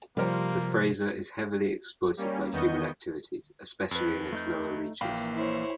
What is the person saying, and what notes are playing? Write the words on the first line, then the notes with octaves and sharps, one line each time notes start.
The Fraser is heavily exploited by human activities, especially in its lower reaches.
C3 F3 G3 A#3 A#4 C5
G3 A#3 C#4
E2 D#3 B3 D#5 C#6 G6
F2 B4
A3 D#4 G6
A#1 E3 A#3 F5 G5 B5
E4 C5 C#5